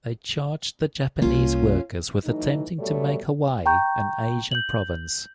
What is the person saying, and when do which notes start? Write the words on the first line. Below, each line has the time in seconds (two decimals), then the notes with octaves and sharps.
They charged the Japanese workers with attempting to make Hawaii an Asian province.
1.22 C2 A#3 C#4 F4
2.25 E3 F#3 A3 D#4
2.79 B2 F#3 G3 A3 A4 C#5
3.66 G5 A#5 C#6 G6
4.51 G6 F#7